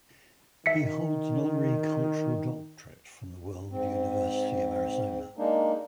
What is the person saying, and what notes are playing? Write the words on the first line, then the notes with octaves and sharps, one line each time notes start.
He holds an honorary Cultural Doctorate from The World University of Arizona.
D#3 E5 B6 C#7
G#2 C4
G#3 A#3 D4 D#4